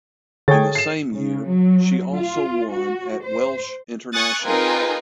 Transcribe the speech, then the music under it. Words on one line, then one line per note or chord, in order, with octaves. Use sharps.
In the same year she also won at Welsh International.
D3 G#4 A4 C#5 G5 A6
C7 E7
C#3
F#3
F4
F#4
C5
G#5 C#6 D#6 F#6 A6
C4 D#4 F4 G#4 A#4 B4